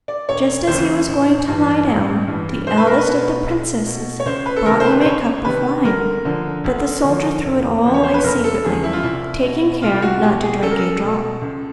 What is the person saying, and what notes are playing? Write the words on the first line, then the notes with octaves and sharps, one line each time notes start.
Just as he was going to lie down, the eldest of the princesses brought him a cup of wine; but the soldier threw it all away secretly, taking care not to drink a drop.
D5
E1 C#5
D#2 C#3 E3 C5
A1
G2 E3
A1
G2 E3
B1 C5
B4
A#4
B4
B2
B1
B2
C#5
C#2 C5
B4
A4
C3 D#3 A#4
C5
B4
C5
C#2 C#5
C3 D#3 B4
D2 A#4
D3 F3
D2
D3 F3
F1
E2 C#3 F3
C#5
C5
B4
F1 A#4
A4
E2 C#3 F3 G#4
E4
F4
C2 E4
B2
C2 F4
F#4
B2 G4
G#4
C#2 A4
A#4
A4
B2
C#2